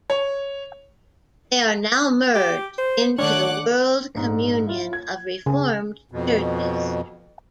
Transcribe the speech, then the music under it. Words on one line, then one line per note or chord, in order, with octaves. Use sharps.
They are now merged into the World Communion of Reformed Churches.
C#5
G4
C5
D#3 A3 D4 C#5 F#5 D6 F#6
A#1 G#2
E4 F4
G#6
C#3 G#5
F2 B2